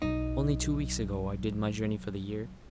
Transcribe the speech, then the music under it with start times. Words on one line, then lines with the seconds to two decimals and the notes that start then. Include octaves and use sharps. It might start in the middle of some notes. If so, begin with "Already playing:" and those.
Only two weeks ago I did my journey for the year.
0.02 B1 F#3 D#4